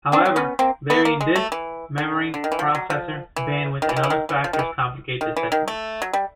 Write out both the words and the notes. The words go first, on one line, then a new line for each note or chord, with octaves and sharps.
However, varying disk, memory, processor, bandwidth and other factors complicate this estimate.
C4 D4
C4
B3 C#4
A#3 C4
A3 B3
A#3
G#3
A3
E3
D3
D3
D#3
E3
F3
F#3
F3
E3
D#3
E3
D#3
E3
D#3
E3
F3
D#3
E3
D#3
E3
D#3
A3
F#3
G3